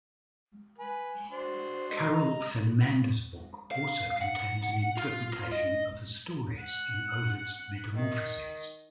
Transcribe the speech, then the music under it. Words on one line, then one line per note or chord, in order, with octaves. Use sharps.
Karel van Mander's book also contains an interpretation of the stories in Ovid's "Metamorphoses".
B4 G#5
D4 F#4 C5 C6
D#5
A#5
F5
F#5
F4
D#5
F#5
D#3